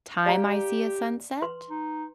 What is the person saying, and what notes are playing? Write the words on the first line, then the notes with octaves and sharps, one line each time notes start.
time I see a sunset.
G4 D5 F5 A#5
B4 C6
D#4